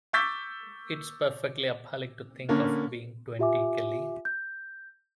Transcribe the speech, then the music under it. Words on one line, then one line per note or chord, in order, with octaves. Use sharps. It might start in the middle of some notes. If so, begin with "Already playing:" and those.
It’s perfectly appalling to think of being twenty, Kelly.
C#6 D6 E6 G6 A6 B6
D3 A#3 C#4
F4 G4 E5 G#5 D6
G6